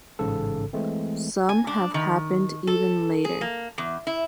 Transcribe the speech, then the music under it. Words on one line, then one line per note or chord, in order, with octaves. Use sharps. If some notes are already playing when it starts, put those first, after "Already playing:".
Some have happened even later.
A1 G#2 C#3 A4
E3 G#3 A3 C4
G#5
D4
D#3
A4
G#4
A#3
E2
E4